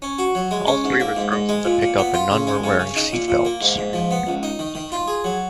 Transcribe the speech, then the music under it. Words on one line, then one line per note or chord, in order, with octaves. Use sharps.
All three were thrown from the pickup and none were wearing seatbelts.
C#4
F#4
F#3
G#3
C#4
G#2
A#3
G#2
G#2
G#3
A#2
A#2
B3
F4
C#3
G#3
C#3
C#3
D#4
A#2
A#2
A#3
G#2
G#2
F3
B3
C#2
D#4
D#3
D#3
F4
G#4
F#3